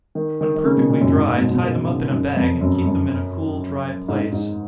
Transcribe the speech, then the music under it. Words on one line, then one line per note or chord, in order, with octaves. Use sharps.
When perfectly dry, tie them up in a bag, and keep them in a cool dry place.
D#3
D#3
D#3
C#3
B2
A#2
F#2
G#2
A#2
B2
B2
D#3
D#3
C#3
F#2
F2
F#2
F#2
G#2
G#2
G#2